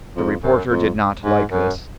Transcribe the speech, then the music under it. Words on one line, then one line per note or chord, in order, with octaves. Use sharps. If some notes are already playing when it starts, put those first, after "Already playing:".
The reporter did not like this.
F2
F#2
F2
G#2
F#2